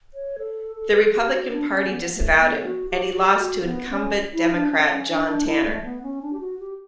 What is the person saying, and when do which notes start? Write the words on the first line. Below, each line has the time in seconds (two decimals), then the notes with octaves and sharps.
The Republican Party disavowed him, and he lost to incumbent Democrat John Tanner.
0.14 C#5
0.38 A4
0.76 A4
0.90 B4
1.02 A4
1.14 G4
1.33 F#4
1.51 D4
1.70 C#4
1.90 B3
2.05 B3
2.14 A3
2.39 B3
2.64 F#4
2.89 G4
3.15 G4
3.39 F#4
3.64 B3
3.89 C#4
4.34 E4
4.52 D4
4.71 C#4
4.90 C#4
5.08 D4
5.27 D4
5.46 E4
5.65 A3
5.84 B3
6.03 C#4
6.22 D4
6.33 G4
6.40 F#4
6.59 G4